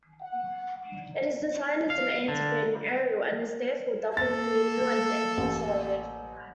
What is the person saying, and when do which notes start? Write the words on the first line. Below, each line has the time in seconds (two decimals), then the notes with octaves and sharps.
It is designed as an antifading aerial and is therefore double-feedable and insulated.
0.21 F#5
1.90 F5
2.28 D3
4.17 A#3 A4 A6
5.37 A1